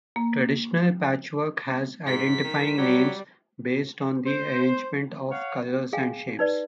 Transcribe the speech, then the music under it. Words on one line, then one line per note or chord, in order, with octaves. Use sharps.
Traditional patchwork has identifying names based on the arrangement of colors and shapes.
A#3
G#2 B6
D#3
F#3 G3
C5
C#5 F5 F#5
G#4 F5 G5 G#5
D#4 B4 D5